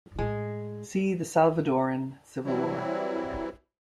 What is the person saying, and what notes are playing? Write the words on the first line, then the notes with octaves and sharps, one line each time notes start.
See the Salvadoran Civil War.
A2 G#3
E3 F#3 G3 C4 E4